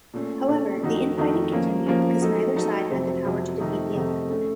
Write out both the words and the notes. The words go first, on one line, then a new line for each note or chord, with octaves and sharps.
However, the infighting continued because neither side had the power to defeat the other.
A#2 A3 C#4
A#2 A3 C#4
F2 D#3 A3 D#4 F#4
F2 D#3 A3 D#4 F#4
F3 A#3 C#4
F3 A#3 C#4
F#3 A3 D#4 A4
F#3 A3 D#4 A4
F2 C3 F#3 C4
F2 C3 F#3 C4
F2 C3 D#3 A3 D#4
F2 C3 D#3 A3 D#4
A3 C#4 A4